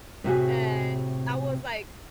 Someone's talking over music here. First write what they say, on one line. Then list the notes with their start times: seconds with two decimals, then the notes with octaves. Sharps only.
and I was, like,
0.24 A2 C3 F#4 G#4